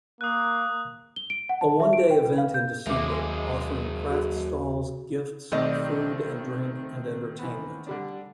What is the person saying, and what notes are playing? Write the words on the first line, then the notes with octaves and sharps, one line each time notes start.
A one-day event in December, offering craft stalls, gifts, food and drink and entertainment.
A#3 D#6 F#6
G7
D7
F#5
A5
E5
D7
G5
B4
F5
G6
D#2 F#3 G#3 A#3 E5 D6
F#4 G#4
B1 D#3 A3 C4 G4 D5 D#5
E3 B3
D3 G3 D4